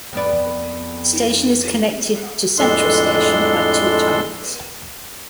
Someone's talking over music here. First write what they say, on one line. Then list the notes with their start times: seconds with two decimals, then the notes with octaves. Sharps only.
The station is connected to Central Station by two tunnels.
0.13 F2 B3 D5
2.58 F2 A2 G#3 D4 A4 C6